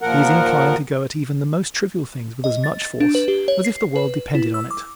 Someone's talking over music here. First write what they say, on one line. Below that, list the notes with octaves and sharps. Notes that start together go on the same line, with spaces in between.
He is inclined to go at even the most trivial things with as much force as if the world depended on it.
D#2 A#2 F3 A#4 F#5
D#5
A6
D4
B4
G4
C#5
C7
B4
E4
E6
D6